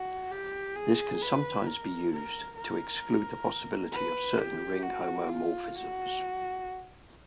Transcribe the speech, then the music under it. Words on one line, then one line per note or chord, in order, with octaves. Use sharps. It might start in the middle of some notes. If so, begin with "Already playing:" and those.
This can sometimes be used to exclude the possibility of certain ring homomorphisms.
Already playing: F#4
G4
G#4
B4
A#4
A#4
A#4
B4
G4
F#4
F4
F#4